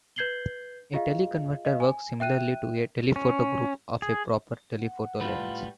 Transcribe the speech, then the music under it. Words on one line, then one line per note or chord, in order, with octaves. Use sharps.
A teleconverter works similarly to a "telephoto group" of a proper telephoto lens.
B4 G6 G#6 C7 F#7 G7
F4 G#4 D#5 F5
D#5 F5
G#5
E5 G5 F#6 D#7
C#4
G#4
F#5
A2 G3 F4 B4